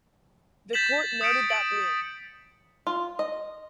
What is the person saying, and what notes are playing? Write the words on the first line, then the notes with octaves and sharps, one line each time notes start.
The court noted that Bleem!
G6 A6 B6 E7 F#7
D#6 G6 B6 C#7 D7
D7 F#7
F4
D#5